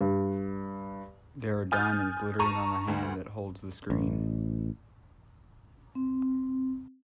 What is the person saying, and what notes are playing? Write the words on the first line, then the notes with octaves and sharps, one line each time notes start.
There are diamonds glittering on the hand that holds the screen.
G2
G#5 D#6 F6 G6 A6
A5 A#5 C#6 D#7
D2
A1
C4